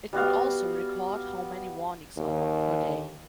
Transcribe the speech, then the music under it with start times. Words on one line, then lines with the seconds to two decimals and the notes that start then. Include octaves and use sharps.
It could also record how many warnings are logged per day.
0.13 G3 B3 F#4 F5
2.17 D#2